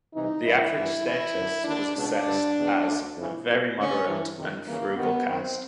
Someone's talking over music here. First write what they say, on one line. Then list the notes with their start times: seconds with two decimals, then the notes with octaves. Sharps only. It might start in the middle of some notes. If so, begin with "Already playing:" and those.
The average status was assessed as "very moderate and frugal cast".
0.14 C2 C3 E3 D#4
0.44 G2 E3 E4
0.75 G2 E3
1.05 E2 C#3 E3 E4
1.34 F#2 D3
1.64 D#2 D3 D4
1.95 C#2 B2 D4
2.25 G2 D3
2.56 E2 B2
2.85 D2 D3
3.15 F2 C#3 E3
3.46 C2 A#2
3.75 D2 D3 C#4
4.06 G2 E3
4.36 F2 C3 D#3
4.66 D#2 C#3 E3 A#3
4.96 D#2 D#3 B3
5.26 F#2 D#3 C4